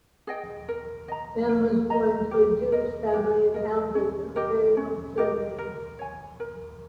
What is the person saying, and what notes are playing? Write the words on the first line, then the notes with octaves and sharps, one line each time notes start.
Dehn was born to a Jewish family in Hamburg, Imperial Germany.
G#4 D#5 G5
A#4
D#5 A#5
A#4
D#5 A#5
G4
A#4 D#5
G4
A#4 D#5
C#4
G4 A#4 D#5
C#4
G4 A#4 D#5
A#4
C#5 G#5
A#4